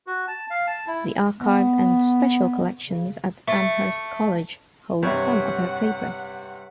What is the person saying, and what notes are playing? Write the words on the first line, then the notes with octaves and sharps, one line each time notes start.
The Archives and Special Collections at Amherst College holds some of her papers.
F#4
A5
F5
A5
E4
B3
C#3
A3
G2 C3 C#5 F#5